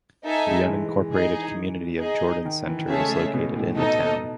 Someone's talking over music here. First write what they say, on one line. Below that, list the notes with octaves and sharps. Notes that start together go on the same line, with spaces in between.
The unincorporated community of Jordan Center is located in the town.
D#4 A4 E5 G#5
G#3
E3
D#4 G#4 D#5 G#5
D#4 G#4 D#5
D#3
E3
D#3
C#3 G#4 C#5 E5 A5
G#3
A3
G#3
A3
B2
A2
B2 D#4 A4 D#5